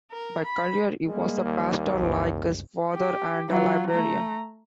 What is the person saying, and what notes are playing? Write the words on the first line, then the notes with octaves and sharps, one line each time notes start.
By career he was a pastor, like his father, and a librarian.
A#4
B5
G3 G#3 A#3
D#2
F#1 C2
G4
F#3 F4
A3 A#5